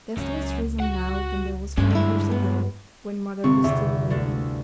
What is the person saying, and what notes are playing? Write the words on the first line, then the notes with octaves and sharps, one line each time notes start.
There's less reason now than there was five years ago when mother was still living.
C#2 F#2 C#4
F#4 F#5
G2 A#2 G#3 C#4
D3 A3 E4
B3
G1 C3 C#6
E2 C3 E5
D2 A3 D4